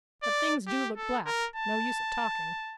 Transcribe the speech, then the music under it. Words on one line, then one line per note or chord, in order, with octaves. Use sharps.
But things do look black, no use of talking.
D5
G4
A4
A#4
A5